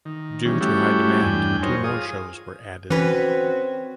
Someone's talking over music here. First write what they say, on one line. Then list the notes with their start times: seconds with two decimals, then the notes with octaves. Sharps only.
Due to high demand two more shows were added.
0.05 D#3
0.45 D#3 E3 G3 C#4
0.61 G3 A3 C#4 E4 F#4 G4
1.22 E2 G2 D4 G5 G#5
1.63 F#3 D#4 A#4 C5 C#5
1.84 F4 G#4 D#6
2.90 E3 C4 C#4 F#4 B4